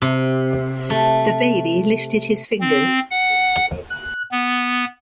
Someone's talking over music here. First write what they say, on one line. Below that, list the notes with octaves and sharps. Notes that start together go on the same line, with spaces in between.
The baby lifted his fingers.
C3
A3
C4
F#5
F#6
B3